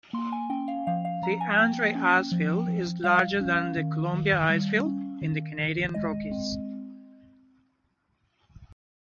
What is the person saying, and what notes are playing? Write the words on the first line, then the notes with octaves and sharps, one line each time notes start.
The Andrei Icefield is larger than the Columbia Icefield in the Canadian Rockies.
A#3 C6
G#5
C#4 G5
F5
F3 F5
F5
F3 A#5
G#5
A#3 G5
C#4
F3
F3
G3 F5
C#4
D#3
D#3
G3
C#4
D#3
D#3
G#3 D#5
C4